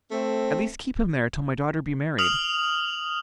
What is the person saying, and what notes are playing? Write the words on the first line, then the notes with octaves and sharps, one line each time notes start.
"At least keep him there till my daughter be married."
A3 C4
D#6 F6 F7 F#7